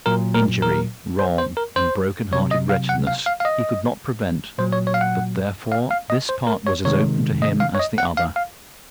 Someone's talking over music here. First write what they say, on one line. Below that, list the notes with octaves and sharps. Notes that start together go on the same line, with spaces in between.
Injury, wrong, and broken-hearted wretchedness, he could not prevent; but, therefore, this part was as open to him as the other.
A#2 F#3 A#4
A#4
A#4
C5
C5
A#4
C5
C3 F#3 C#5
D#5
F5
F#5
F5
F5
F5
D#5
A#2 F#3 C5
C#5
C#5
F5
F#5
F5
F5
D#5
C5
A#4
C#5
C3 D#3 G#3 C#5
D#5
F5
C#5
D#5
F#5
F5
F5